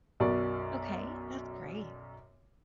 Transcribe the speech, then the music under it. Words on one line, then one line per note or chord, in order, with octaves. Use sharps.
Okay, that's great.
B1 F#2 F#4 A#4 D5 C#6